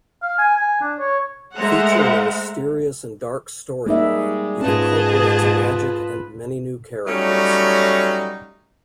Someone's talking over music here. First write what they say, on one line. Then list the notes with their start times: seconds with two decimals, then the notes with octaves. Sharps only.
Featuring a mysterious and dark storyline, it incorporates magic and many new characters.
0.22 F5
0.38 G#5
0.57 G#5
0.81 D4
0.99 C#5
1.55 G#3 A3 C5 E5 F#5 A#5
3.86 G3 G#3 A#3 D#4 E5
4.62 G#2 C#4 F4 G#4 B4 D#5 A5
7.06 F#3 G3 A3 C#4 D#4